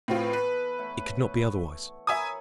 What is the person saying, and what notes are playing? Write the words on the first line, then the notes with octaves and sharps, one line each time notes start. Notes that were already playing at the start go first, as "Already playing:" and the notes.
It could not be otherwise.
A2 E3 B3 C4 F4 A4
B4
A3 C#5 F#5
A#4 C#5 E5 G#5 B5 D#6